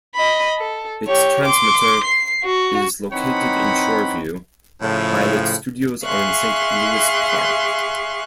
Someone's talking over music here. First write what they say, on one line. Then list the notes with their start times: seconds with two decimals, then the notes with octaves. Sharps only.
Its transmitter is located in Shoreview, while its studios are in Saint Louis Park.
0.15 D#5 B5
0.58 A4
1.07 G4 C#5
1.44 C6 D6
2.04 C7
2.44 F#4
3.12 E3 C4 D#4 C#5 F#5 B5
4.82 A2 C#3 F3
6.04 G#4 E5 F5 C6 C#6 F#6